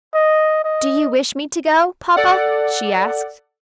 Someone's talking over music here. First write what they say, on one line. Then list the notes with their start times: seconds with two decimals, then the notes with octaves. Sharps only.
"Do you wish me to go, papa?" she asked.
0.14 D#5
0.64 D#5
2.16 A4 D5 F#5